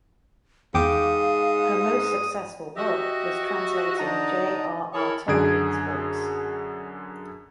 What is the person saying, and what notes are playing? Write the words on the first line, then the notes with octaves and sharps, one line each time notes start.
Her most successful work was translating J. R. R. Tolkien's books.
E2 G#2 F5 G5 D6 D#6
F#4 G4 D#5 E5
D3 D#4 A5 A#5 D#6
E4 G#4 A#4 C#5 A5 D#6
F#2 D3 G#4 G#6 D7